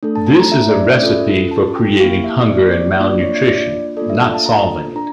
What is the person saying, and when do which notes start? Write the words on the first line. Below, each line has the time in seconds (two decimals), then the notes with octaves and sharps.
This is a recipe for creating hunger and malnutrition, not solving it.
0.03 A3 D4 A4
0.16 A5
0.27 A5
0.40 A#5
0.52 E5
0.62 E5
0.69 D5
0.84 D5
1.02 C#4 F4 A4 E5
1.51 A5
1.76 G5
2.00 A#3 E4 G4 F5
2.24 E5
2.49 D5
2.74 D5
2.98 A#3 D4 F4 D5
3.11 D5
3.23 C#5
3.35 E5
3.49 D5
3.97 A#3 D4 F4 A4 D5
4.10 E5
4.23 F5
4.34 A5
4.46 A#5
4.96 D4 A#5